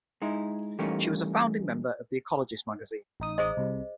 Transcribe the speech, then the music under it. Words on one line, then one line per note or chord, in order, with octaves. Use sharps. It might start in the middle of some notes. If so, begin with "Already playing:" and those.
She was a founding member of "The Ecologist" magazine.
G#3 D#4 E4
E3 G3 A3 A#3 C#4 D#4
A1 D#4 D#6
G#4 C5 D#5
C2 C3